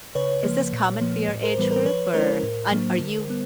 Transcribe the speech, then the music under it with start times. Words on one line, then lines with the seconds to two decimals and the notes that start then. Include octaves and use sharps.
is this common for your age group, or un Are you
0.15 C#3 B4 C#5
0.43 F3 A#3
0.73 A#2
1.01 F3 A#3
1.29 A2
1.43 A#4 C5
1.58 E3 G3 B3 B4
1.71 A#4 C5
1.85 F3 B4 C#5
2.14 G#3 C#4 E4 A#4 C5
2.43 A2
2.71 F#3 A#3 D4
2.99 D3
3.28 G3 B3